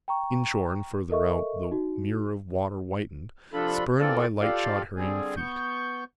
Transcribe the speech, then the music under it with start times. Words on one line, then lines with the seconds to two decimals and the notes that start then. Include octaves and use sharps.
Inshore and farther out the mirror of water whitened, spurned by lightshod hurrying feet.
0.08 G5 A#5 C#6
1.10 A4 A#4 D#5 E5 C#6
1.71 D#4 F#4
3.53 C3 F3 D4 F4 A4 B5
3.99 E3 A#3 C4 F4 A4 D5
4.41 F4 G4 A4 D5 F5
4.96 D3 G3 C4 G#4
5.37 B3 C#6 G6